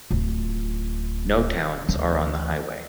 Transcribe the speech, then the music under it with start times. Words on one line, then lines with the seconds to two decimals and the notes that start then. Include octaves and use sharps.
No towns are on the highway.
0.11 D1 F4
1.89 D2 E3